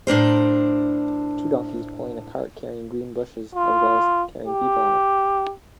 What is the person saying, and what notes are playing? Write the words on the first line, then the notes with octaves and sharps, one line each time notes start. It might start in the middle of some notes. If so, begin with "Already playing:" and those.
Two donkeys pulling a cart, carrying green bushes, as well as carrying people on it.
A2 D4 A#4 C5
F4
G4